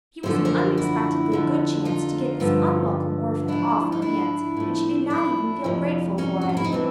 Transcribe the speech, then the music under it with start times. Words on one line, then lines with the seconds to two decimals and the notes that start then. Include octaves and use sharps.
Here was an unexpectedly good chance to get this unwelcome orphan off her hands, and she did not even feel grateful for it.
0.23 F#2 D3 F3 C5
0.35 C#5
0.45 A#4 C5
0.77 E4 F#4
1.32 F2 D3 F3
1.85 D#4 F4
2.40 G2 D3 F3
3.48 G#2 F3 D4 E4
3.92 D#4
4.02 D4 E4
4.57 A2 F3
5.10 D4 E4
5.64 F2 C3 F3
6.18 C#4 D#4
6.41 F#4
6.49 F4
6.57 E4
6.64 D#4
6.72 A2 E3 C4 D4